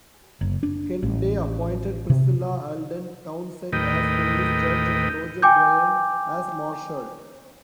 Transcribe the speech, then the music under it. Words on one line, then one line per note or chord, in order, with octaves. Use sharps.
Ken Day appointed Priscilla Alden Townsend as Police Judge and Roger Bryan as Marshall.
F#1
D4
A1
C3
D#2 A2 A#4 B4 D#5 G5
G5 G#5 D6 G6